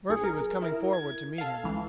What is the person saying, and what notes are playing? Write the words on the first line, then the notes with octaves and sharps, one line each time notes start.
Murphy was coming forward to meet him.
B1 G#4 C#7
A#4
E4 A#4
G#6
A4 F5
C#2 E3